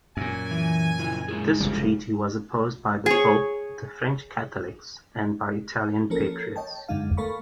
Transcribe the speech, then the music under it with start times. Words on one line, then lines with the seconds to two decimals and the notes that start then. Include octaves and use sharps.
This treaty was opposed by the Pope, the French Catholics, and by Italian patriots.
0.17 F#2 A#2 G#5
0.51 E3
0.99 C#3 F3 E4
1.28 G#3 E4 G#4
1.60 F1 C#3 G3
3.06 G#4 C#5
6.10 F3 A#3 C#4 A4 A#4
6.56 C#5 D#5 G5 A5
6.88 F#2 D3 G#3 D#4 F5
7.17 A3 A4 A#4 F5 B5 C#6